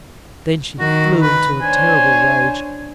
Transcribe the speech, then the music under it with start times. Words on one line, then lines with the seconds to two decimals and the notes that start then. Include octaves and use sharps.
Then she flew into a terrible rage.
0.80 D#3 F#4
1.21 B4
1.61 D4 C5 C#5 G#5